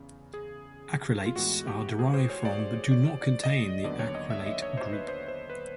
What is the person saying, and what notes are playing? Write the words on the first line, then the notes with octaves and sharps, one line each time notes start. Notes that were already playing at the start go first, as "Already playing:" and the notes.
Acrylates are derived from but do not contain the acrylate group.
Already playing: E2 C#3
G#4
F4
A2 E3 G#3 B3 F#4
G4
G#4
C5
C#5
D5
D5
D5
D5
D#5
D#2 D3 F#3 B3 D5
C#5
D#5
E5
D#5
C#5
C5
B4
C5
C5
B4